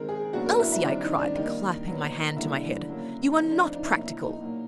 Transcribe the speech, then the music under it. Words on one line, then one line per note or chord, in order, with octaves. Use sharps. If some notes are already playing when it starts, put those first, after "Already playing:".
'Elsie,' I cried, clapping my hand to my head, 'you are not practical.
Already playing: D#3 G#3 C4 A#4
G#4
A#2 F#3 B3 D4 F#4
A#4
E4
E4
D#3 G3 C4 D4
D#4
D4
D#3 G3 A#3 D#4
A#2 F#3 B3
D3 G3 A#3 D4 E4
C#3 F#3 A#3
F3 A3 C4 D#4
D4
D#4
D#4
E4
B2 F#3 A#3 D#4
E4
D#4
A#2 F#3 A#3